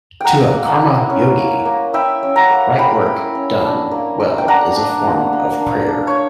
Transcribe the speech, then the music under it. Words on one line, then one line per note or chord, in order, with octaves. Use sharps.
To a "karma yogi", right work done well is a form of prayer.
A#3 F#5 G5 A#5
A#3
E4
C#4
A#3
A#3
E4 E5 G5
C#4
F#5 A#5
A#3
A#3 G5 B5
E4
C#4
D4
A#3
A#3
G5
D4 F#5 A#5
D4
A#3
A#3
D4
D4
C#5